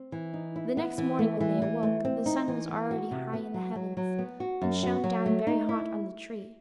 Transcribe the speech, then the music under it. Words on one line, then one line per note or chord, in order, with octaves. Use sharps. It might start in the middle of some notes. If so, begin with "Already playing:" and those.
The next morning, when they awoke, the sun was already high in the heavens, and shone down very hot on the tree.
Already playing: C4
E3
D#4
E4
B3
E3
A3
E3
E3
A3
C4
D#4
E3
B3
F#4
C3
B3
F#3
F#3
F#3
B3
F#4
F#2
F#4
F#3
A3
D#4
E4